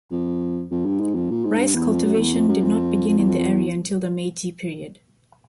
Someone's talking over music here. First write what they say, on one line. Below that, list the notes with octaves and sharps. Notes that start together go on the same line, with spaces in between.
Rice cultivation did not begin in the area until the Meiji period.
F2
F2
G2
G#2
F2
A#2
G#2
G2
E2
F2
F#2
E2
F2
F#2
F2
F2
E2
F2
F2
E2